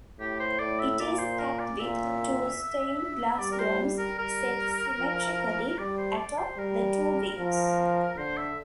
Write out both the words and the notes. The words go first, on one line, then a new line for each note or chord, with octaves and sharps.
It is capped with two stained-glass domes, set symmetrically atop the two wings.
A2 G4
C5
A2 D5
E5
A#2 D5
C5
A#4
D5
A#2 E5
G3 D5
A#4
C5
A#4
G3 A#4
F3
G3 D5
C5
D5
C5
G3 A#4
F3
D3 C5
E5